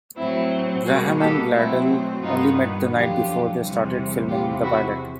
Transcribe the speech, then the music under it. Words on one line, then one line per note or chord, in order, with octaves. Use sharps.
Graham and Bledel only met the night before they started filming the pilot.
A2 F#3 A3 C4 E4
B2 G3 A#3 F#4 G#4
G4 A4
B2 F#3 A3 C4 E4
G2 D#3 G3 B3 D#4 F4
F2 D3 F#3 F4 G4
E2 C3 E3 G3
E2 C3 E3 F4 G4
E4 F#4